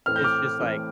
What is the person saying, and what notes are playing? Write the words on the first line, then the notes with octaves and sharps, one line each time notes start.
it's just, like,
A2 E3 A3 C4 F6
G6
D6 F6
A2 E3 A3 C4